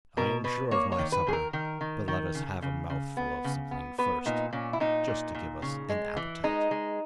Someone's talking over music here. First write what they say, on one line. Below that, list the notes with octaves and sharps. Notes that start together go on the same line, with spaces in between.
'I am sure of my supper, but let us have a mouthful of something first, just to give us an appetite.'
B2 A#4
B2 B4
A#3 C#5
C#5
D#3
B4
D#3 G#4
A#4
D#3 A#4
D#3
D#3
C#3
C#3
C#3
B3
C#3
B3
B3 B4
A#2 D#4
A#2 C#4
E4
A#2 D#4
A#2
A#2
C#3
G#3
E3
G#3 D#4
G#3